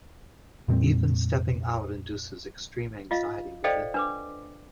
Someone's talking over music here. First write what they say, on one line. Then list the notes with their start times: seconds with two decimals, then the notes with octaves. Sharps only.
Even stepping out induces extreme anxiety within him.
0.68 F2 A#2 G3 C4
3.11 F4 D#5 F5
3.64 A4 C5 D5 D#5 F5 G5
3.94 D4 B4 D6